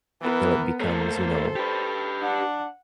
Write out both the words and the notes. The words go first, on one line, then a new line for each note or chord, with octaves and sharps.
until it becomes, you know,
E3 B3 A#4
A3 A#3 A4 C5
G4 B4
D4 F#5